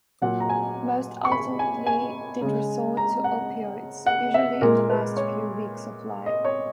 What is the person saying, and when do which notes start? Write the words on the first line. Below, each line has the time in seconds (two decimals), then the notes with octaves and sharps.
Most ultimately did resort to opioids, usually in the last few weeks of life.
0.22 A#2 F#3 F#5
0.40 A#5
0.49 G#5
1.25 C#6
1.32 B5
1.59 G#5
1.86 G#5
2.41 C#3 G#3
2.97 A#5
3.24 F#5
4.06 F#5
4.34 E5
4.61 A#2 G#3 A#4
4.90 B4
5.17 C#5
6.26 D#5
6.45 C#5